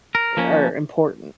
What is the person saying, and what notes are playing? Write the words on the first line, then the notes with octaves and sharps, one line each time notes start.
are important
A#4
F3 A#3 C#4